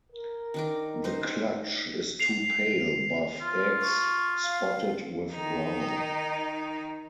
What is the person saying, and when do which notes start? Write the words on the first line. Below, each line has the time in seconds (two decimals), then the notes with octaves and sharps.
The clutch is two pale buff eggs, spotted with brown.
0.12 A#4
0.54 D#3 D4 D6
1.04 D#4 C5
2.20 C7 F7
3.41 F4
3.81 C#6
4.43 F5
5.31 D#3 D#4